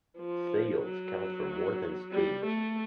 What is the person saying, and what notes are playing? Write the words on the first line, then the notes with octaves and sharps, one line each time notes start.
Sales count for more than streams.
F3
F#3
G3
A3